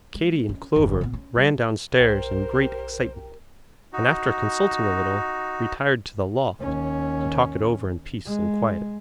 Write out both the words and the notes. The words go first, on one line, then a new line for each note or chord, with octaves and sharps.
Katy and Clover ran down stairs in great excitement, and after consulting a little, retired to the Loft to talk it over in peace and quiet.
G#3
C#4
F#1 E2
A#2 B3
C#4
G3
B1 G4 A#4 C5 G5
D#4 F#4
D#2 C#4
G#3